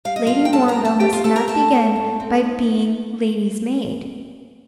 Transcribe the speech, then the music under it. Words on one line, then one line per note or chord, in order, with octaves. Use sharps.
'Lady Morville must not begin by being lady's-maid.'
G3 F5
D#5
F2 F4 F5
G5
G3 A4 A5
A#4 A#5
F2
A4 A5
A3 G4 G5
F4 F5
A3 A4 A5
A#4 A#5
A3 A4 A5
A3
A2
C4
D#4